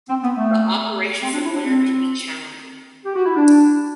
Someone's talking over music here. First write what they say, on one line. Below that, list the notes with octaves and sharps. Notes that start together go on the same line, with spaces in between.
The operations in winter can be challenging.
C4
B3
A3
C4
D4
E4
D4
C4
G4
F#4
E4
D4